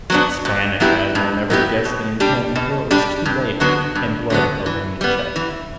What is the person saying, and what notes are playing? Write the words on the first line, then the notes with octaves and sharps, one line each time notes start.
That Spanish Admiral never guessed the intent until it was too late and Blood held him in check.
F#3 B3 D4
G2
F#3 B3 E4 G4
G2
F#3 B3 E4 G4
B2
G3 D4 G4
B2
G3 D4 G4
G2
D3 F#3 B3
G2
D3 F#3 B3
E3
G3 B3
E3